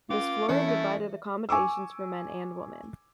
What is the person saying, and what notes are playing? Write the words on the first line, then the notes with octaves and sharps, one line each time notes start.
This floor had divided accommodations for men and women.
C#4 F4 D6
E3 A3 C#4 E4 C#5 C#7
E5
G#5 C#6 D6 E6